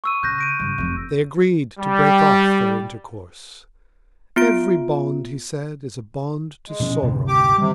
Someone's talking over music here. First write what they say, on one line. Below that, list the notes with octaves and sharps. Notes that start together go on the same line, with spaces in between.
They agreed to break off their intercourse: every bond, he said, is a bond to sorrow.
C#6 E6 D#7
C#3 F#6 G6 A#6
A#6 D7 D#7
G2 C#3
F1 F2
G3
B3 F4 D7
G#3
B2 F3 C#4
D1 G1 C3
G4 D6
C3 D#3 G3